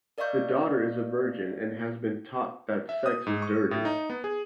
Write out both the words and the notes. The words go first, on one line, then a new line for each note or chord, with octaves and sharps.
The daughter is a virgin and has been taught that sex is dirty.
A#4 D5 D#5 F5 C#6 G6
E5
D#6
G#2
C#6
A2
D#4
B3
G#4